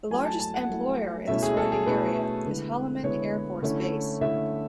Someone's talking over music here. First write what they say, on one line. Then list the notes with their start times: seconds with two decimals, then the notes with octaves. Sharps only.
The largest employer in the surrounding area is Holloman Air Force Base.
0.10 F#3 A3 E4 G#5
0.25 A5
0.40 A5
0.54 F#5
0.69 F#3 A3 E4
1.27 B2 A3 C#4 E4 E5
1.43 G#4
1.57 A4
1.72 G#4
1.86 B2 A3 C#4 E4 B4
2.46 D3 G#3 B3 E4
3.03 D3 G#3 B3 E4 C#5
3.62 D3 A3 C#4 E4
4.21 D3 A3 C#4 E4 E5